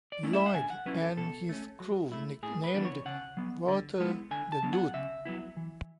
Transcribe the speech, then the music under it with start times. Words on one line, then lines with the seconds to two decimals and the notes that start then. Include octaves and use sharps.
Lloyd and his crew nicknamed Walter "The Dude".
0.12 D5
0.23 A3 C#4 E4
0.33 E5
0.46 F#5
0.54 D3 G#5
0.70 F#5
0.86 F#3 C#4 E4 B4
1.02 A4
1.17 B2 A4
1.49 A3 C#4
1.80 F#3
2.12 A3 E4
2.43 A2 G#4
2.64 B4
2.74 E3 B3 D4
2.85 C#5
3.05 C#3 F#5
3.37 F#3 B3
3.68 D3
4.00 G#3 B3 E4
4.31 D3 G#5
4.52 A5
4.63 F#3 B3 D4
4.73 F#5
4.94 C#3 E5
5.25 F#3 B3 E4
5.57 E3